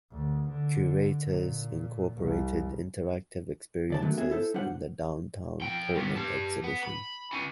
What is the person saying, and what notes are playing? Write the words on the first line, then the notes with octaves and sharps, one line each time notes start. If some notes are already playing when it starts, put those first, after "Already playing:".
Curators incorporated interactive experiences in the downtown Portland exhibition.
D2
D3
A#2
C2
C#2 D5 A5
D3 D#3 F#3 A3
B3 F#4 G#4 E5
E4 A4 C5
G3 D4 F#4 C5 F#5
F2 G5
G2 B3
G4 A5
B3
B5
C#4 D#5